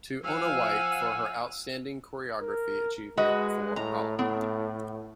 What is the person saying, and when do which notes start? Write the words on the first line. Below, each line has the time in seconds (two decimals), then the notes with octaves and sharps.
"To Onna White for her outstanding choreography achievement for "Oliver!
0.24 F3 F5 F#5 G#5 E6
2.42 A#4
3.17 G#3 F#4 B4 D#5
3.76 A2 A#5
4.19 A2 B3